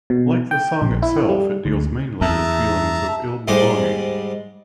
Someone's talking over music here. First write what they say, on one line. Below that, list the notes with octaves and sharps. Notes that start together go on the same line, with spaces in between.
Like the song itself, it deals mainly with feelings of ill-belonging.
B2
G5
A#1
E4
G3
D2
E2 E5 A5 A#5
G#2 G3 G#3 C5 D6